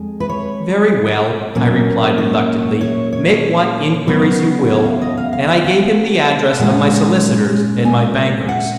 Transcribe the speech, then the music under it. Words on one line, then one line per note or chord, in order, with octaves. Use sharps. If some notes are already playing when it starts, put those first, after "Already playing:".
"Very well," I replied reluctantly; "make what inquiries you will." And I gave him the address of my solicitors and my bankers.
Already playing: F2 G#3
B4
C#5
A#2 F#3 A#3 C#4
C#5
C#5
C#5
C#3 F#3 B3
C#5
F5
D#5
F5
F5
F5
A#2 G#3 C#4 F#5
G#5
F#5